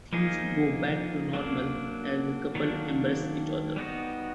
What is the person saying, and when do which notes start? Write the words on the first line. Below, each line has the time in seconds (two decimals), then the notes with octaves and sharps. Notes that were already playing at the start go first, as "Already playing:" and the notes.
Things go back to normal as the couple embrace each other.
0.13 F3 A#3 D#4 G#4
1.33 F#3 A#3 D4
2.55 D#3 F#3 A#3 D4
3.76 G3 B3 D#4 F#4